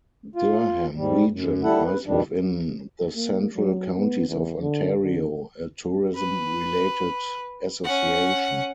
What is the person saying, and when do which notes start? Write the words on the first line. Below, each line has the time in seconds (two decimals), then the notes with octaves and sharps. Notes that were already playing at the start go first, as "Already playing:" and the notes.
Durham Region lies within the Central Counties of Ontario, a tourism-related association.
0.36 F4
0.96 G#2 G3
1.31 F#2
1.63 G3 E4 A4 F#5
1.84 B4
2.06 F2 B2 D#3 G3 D4
3.16 A#3
3.57 F#3
3.96 B3
4.29 E2
4.60 D3
5.03 D3
6.15 B4
7.84 C#4 F#5